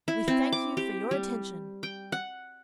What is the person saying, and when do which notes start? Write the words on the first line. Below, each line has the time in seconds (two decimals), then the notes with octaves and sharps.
"We thank you for your attention!"
0.08 E4
0.28 C4
0.52 D6
0.77 G4
1.11 G3
1.83 G5
2.12 F#5